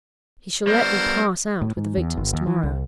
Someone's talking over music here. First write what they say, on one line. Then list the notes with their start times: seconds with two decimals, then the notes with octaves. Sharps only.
He shall let thee pass out with the victims to-morrow.
0.67 G3 B3 A4 A#4 C5
1.62 A2
1.77 G#2
1.97 E2
2.17 G1
2.33 D#2
2.47 E3
2.63 C2